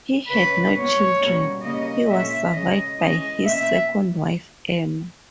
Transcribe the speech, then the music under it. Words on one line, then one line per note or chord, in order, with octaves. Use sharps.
He had no children; he was survived by his second wife Emma.
C#3 G#3 C#4 B4
A#2 G#3 B3 C#5
B2 G3 A#3 C#4
C#3 G3 A#3 C#4 D#5
A#2 G#3 C#4 E5
C#3 G#3 C#4 D#5
E3 G#3 C#4 D#5
B2 A#3 C#4 E5